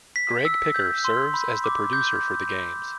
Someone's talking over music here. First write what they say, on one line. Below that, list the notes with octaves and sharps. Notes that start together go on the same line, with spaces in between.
Gregg Picker serves as producer for the games.
B6
E6
G6
C6
B5
D6
G6